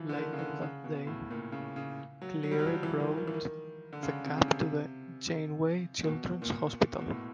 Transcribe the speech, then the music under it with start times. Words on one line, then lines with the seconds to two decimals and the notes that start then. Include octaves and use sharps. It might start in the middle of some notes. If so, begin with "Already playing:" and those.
Later that day, Cleary brought the Cup to the Janeway Children's Hospital.
Already playing: E3 F3
0.09 D3
0.17 D#3
0.33 C#3
0.39 D3
0.62 C#3
0.84 B2
1.07 A2
1.31 A#2
1.52 C#3
1.76 C#3
2.22 F#3
2.43 F#3
2.51 G3
2.59 F#3
2.66 F3
2.83 E3
3.00 D#3
3.17 D#3
3.27 E3
3.34 D#3
3.93 D3
4.03 C#3
4.26 C3
4.37 C#3
4.48 C3
6.03 A#2
6.07 B2
6.42 A#2
6.98 B2
7.12 A2